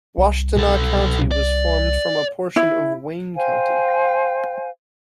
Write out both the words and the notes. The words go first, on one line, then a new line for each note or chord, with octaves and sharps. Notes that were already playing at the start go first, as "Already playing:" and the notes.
Washtenaw County was formed from a portion of Wayne County.
C2
B1 A4
D5
E4
C5 F5 G5 G#5